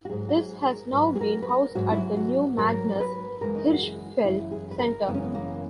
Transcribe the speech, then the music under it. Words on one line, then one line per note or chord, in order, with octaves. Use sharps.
This has now been housed at the new Magnus Hirschfeld Center.
F#4
G#2 F#3 G#4
F#4
G#4
A#4
G#2 F#3 B4
G#4
A#4
B4
A#4
G#2 F#3 F#4
E4
F#4
F#4
G#2 F#3 A#4
A#4
B4
F#2 C#3 E3 G#3 A#4
D#4
E4
F#4
G#4
F#2 C#3 E3 G#3 E4
G#4
B4
A#4
F#2 C#3 E3 G#3 B3
C#4
B3
A#3